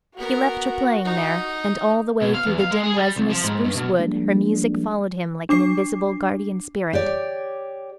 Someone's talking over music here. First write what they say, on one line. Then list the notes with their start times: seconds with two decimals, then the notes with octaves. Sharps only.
He left her playing there, and all the way through the dim resinous spruce wood her music followed him like an invisible guardian spirit.
0.17 B3 F#4 A#4
1.04 D#4
2.22 B2
2.35 F5
2.46 E2
2.60 F5
2.71 G#3
2.83 G#4
2.97 G3
3.16 C2
3.30 F3
3.44 G#2
3.65 G2
3.76 B2
3.99 F3 G3 G#3 A#3 D4
5.49 D4 D6 C7
6.93 G4 C#5 D5